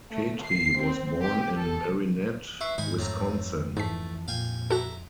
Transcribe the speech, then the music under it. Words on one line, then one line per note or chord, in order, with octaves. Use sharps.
Petri was born in Marinette, Wisconsin.
A3
C7
C4
G4
A4
E4 B4 E5 C#6 C7
G#2 D#3 C5 G#5 B5
F2 A2 C4 A#5
G#2 E3 A3 A5 B6
A#2 F5 G5 G#5
E4 F#4 A4 A#5